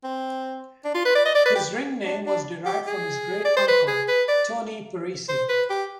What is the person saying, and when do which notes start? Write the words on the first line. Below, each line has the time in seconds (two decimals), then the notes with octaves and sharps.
His ring name was derived from his great uncle Tony Parisi.
0.04 C4
0.85 D4
0.94 F4
1.05 B4
1.15 D5
1.25 D#5
1.35 D5
1.45 B4
1.55 G4
2.05 D4
2.26 D4
2.66 G4
2.87 G#4
3.45 D5
3.56 C5
3.68 B4
3.88 G#4
4.08 B4
4.28 D5
5.29 C5
5.49 B4
5.70 G4